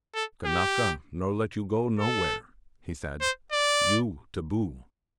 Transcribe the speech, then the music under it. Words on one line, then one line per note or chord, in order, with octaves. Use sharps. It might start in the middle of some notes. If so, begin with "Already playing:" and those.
'Kanaka no let you go nowhere,' he said; 'you taboo.
A4
G4
A4
C5
D5